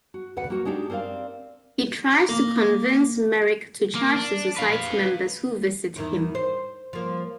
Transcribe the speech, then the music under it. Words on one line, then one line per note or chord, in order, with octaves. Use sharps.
He tries to convince Merrick to charge the society members who visit him.
F#4
D2 B4 F#5
A#3 F#4
G#3 D4 D#4 G4
C4 A#4 C5 D5 F5
A#3
A#3
D4
B4 F5
E2 D#3 E4
C5
F3 A#3